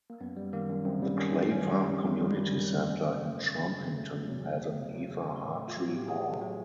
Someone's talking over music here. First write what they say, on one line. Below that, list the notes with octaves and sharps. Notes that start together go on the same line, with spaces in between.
The Clay Farm community centre in Trumpington has an Eva Hartree Hall.
A#3
F#2 B3
G3
D#3 A#3
F#2
F#2 C4
G3
D#3 C#4
F#2
F#2 C#4
G3
D#3
F#2
F#2
G3
D#3
F#2
E2
F#3
C#3
A3
E2
F#3
C#3
A3
E2
F#3
C#3
A3
E2
F#3
C#3
A3
A2
A3
F4
F#3
F#4
A2 G4
A2 G#4
A3
F#3